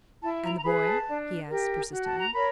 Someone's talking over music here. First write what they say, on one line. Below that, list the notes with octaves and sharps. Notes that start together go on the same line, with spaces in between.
"And the boy?" he asked, persistently.
E4 A5
A#5
A#5
G#4 B4 B5
A5
D4
G4 A#4
F#4
A5
A#5
A#4 C#5 B5